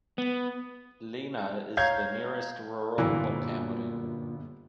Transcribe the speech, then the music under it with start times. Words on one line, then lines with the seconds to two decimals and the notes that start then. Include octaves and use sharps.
Lena is the nearest rural locality.
0.18 B3
1.77 C#5 F5 A#5 G6 G#6
2.98 G1 F#2 A#2 E3 A#3